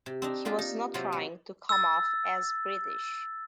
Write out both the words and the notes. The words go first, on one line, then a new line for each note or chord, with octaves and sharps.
He was not trying to come off as British.
C3
C4 D4 D#4
A#3 D4 F4 G4
D#4
C3 F#3 C4 F4 G4
F#3
E6 A6